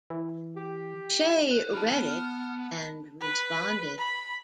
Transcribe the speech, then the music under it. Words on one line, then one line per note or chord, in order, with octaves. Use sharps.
Shaye read it and responded.
E3
G4
B4 C5 F#6
D4 E4 A5 B5 F6
B3
B4
B5